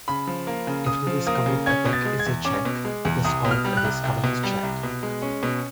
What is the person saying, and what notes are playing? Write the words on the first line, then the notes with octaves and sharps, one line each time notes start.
If the discovered attack is a check, it is called a discovered check.
C#3 B5
F3
A#3
C#3
C#3 D#6
F3
A#3 D#6
C#3
C#4 G#6
B2
A6
G#3
G#6
E2
C#4 D6
B2
G#3
E2
C2 D#6
B2
F6
G3
F#6
C2
C2
B2
G3
C2
B2
G#3
C#4
B2